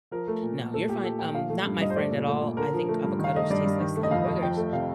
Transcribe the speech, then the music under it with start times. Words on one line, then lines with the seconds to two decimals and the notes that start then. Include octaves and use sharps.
No, you're fine um, not my friend at all. I think avocados taste like slimy boogers,
0.11 F3 A#4
0.27 A3
0.42 A#2
0.58 A#2
0.73 A3 A4
0.89 A#2 G4
1.03 A3 A4
1.19 A#2 G5
1.34 F3 F5
1.49 A3
1.66 G2
1.80 G2 D#5
1.90 C5
1.96 A3 D5
2.11 A#2
2.27 A3
2.42 A#2
2.57 D3 A#4
2.73 F3
2.88 A3
3.04 G2
3.19 D#3
3.24 F5
3.35 A3 D#5
3.50 G2 D5
3.66 G2
3.80 D#3
3.96 A3
4.03 D#5
4.11 F2 F5
4.27 F2
4.42 F3 G5
4.57 A3
4.73 C3 F5